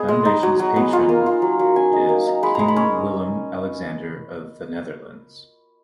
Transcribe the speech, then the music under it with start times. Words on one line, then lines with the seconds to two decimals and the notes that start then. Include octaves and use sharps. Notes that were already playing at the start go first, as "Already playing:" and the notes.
The Foundation's patron is King Willem-Alexander of the Netherlands.
Already playing: B3 G#4 D#5
0.08 G#3
0.25 D#4
0.43 F#3
0.59 F#3
0.76 B3
0.93 F4
1.09 A#3
1.26 F4
1.42 F#3
1.59 F#3
1.76 C#4 G#5
1.93 D#4
2.09 A#3
2.27 D#4
2.43 G#3 B5
2.55 G#3 A#5
2.68 B5
2.76 C#4